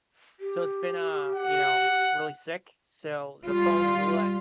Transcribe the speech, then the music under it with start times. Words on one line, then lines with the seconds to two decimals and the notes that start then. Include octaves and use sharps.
so it's been, uh, you know, really sick, so, the phone's le
0.40 G4
1.35 F#5
3.45 G3 F4